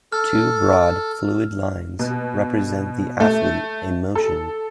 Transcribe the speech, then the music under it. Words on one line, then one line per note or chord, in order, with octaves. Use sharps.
Two broad fluid lines represent the athlete in motion.
A4 F6
B2
A3
A4